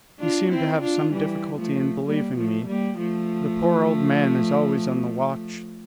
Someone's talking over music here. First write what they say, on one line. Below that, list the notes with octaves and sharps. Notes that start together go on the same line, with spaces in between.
He seemed to have some difficulty in believing me. The poor old man is always on the watch.
D4 F4
C4 E4
D4 F4
E3 G3
F3 A3
G3 A#3
F3 A3
G3 A#3
F3 A3